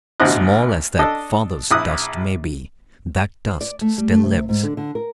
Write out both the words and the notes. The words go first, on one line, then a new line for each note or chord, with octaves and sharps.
Small as that father's dust may be, that dust still lives.
A1 B2 D3 C5 D#5 F#6
D4 A4 D#5
A#1 E4 D#6 F#6
C5
D5
A3
G3
A3
C3
G#2
D3
D3
A#4